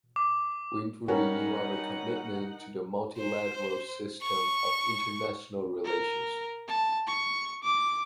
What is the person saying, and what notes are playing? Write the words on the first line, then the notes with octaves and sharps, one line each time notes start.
We need to renew our commitment to the multilateral system of international relations.
D6
G3 C#4 D#4 F#4 A#4 F#5
C5
C#6
A#4
A5
C#6
D6